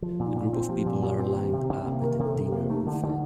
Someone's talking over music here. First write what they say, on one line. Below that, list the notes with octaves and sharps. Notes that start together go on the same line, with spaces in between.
A group of people are lined up at a dinner buffet.
F3
A#2
D#4
A#2
F4
C4
F3 G4
A#2
A#2
C4
D#3
C3
C3
A#3
D#3 A#4
C3 A4
C3
G4
A#3
A3 D#4
D3
D#4
D3